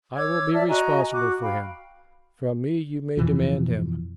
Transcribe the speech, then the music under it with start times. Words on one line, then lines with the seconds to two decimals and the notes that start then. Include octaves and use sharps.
I will be responsible for him; from me you may demand him.
0.17 C#5 D6 E6 G#6
0.53 D5 E5 A5 F6
0.69 F#4 D#5 G#5 A#5
1.11 F#4 D6
1.42 F5 G5 B5
3.17 F2 B2 E3 F3